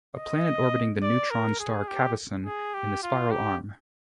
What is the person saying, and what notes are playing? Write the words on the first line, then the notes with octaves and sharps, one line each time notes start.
A planet orbiting the neutron star Cavesson in the Spiral arm.
D#5
D5
A#4
G#4
G4
G#4
G4
F4
G4